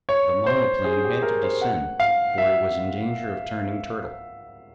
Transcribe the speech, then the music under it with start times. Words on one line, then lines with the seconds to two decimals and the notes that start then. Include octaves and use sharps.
The monoplane had to descend, for it was in danger of turning turtle.
0.09 C#5
0.46 C5
0.84 G#4
1.04 G4
1.22 A#4
1.43 C5
1.62 F#5
2.00 F5
2.38 E5